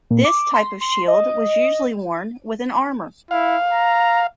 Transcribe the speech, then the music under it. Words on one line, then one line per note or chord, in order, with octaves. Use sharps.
This type of shield was usually worn with an armor.
A#2
D6
C6
C6
D#5
E4 F5
A#5